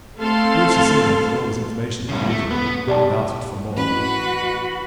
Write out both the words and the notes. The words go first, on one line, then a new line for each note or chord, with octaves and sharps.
Bruce assimilated all this information greedily--and asked for more.
A3 C4 A4 F5 A5 C6
C#3 G3
A3
B3
B1 G4 D5 A5
A1 E3 F#4 B4 B5